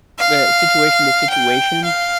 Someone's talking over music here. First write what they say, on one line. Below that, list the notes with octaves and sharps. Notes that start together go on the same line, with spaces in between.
the situation to situation.
F5
G5
F5